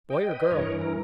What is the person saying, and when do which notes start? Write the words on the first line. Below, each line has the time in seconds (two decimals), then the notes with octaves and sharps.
"Boy or girl?"
0.10 D#5 G5
0.31 B4 D#5
0.51 G2 E3 A#4 C#5
0.81 A#4